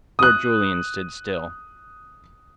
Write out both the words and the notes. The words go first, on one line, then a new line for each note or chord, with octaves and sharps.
Lord Julian stood still.
D#6 F#6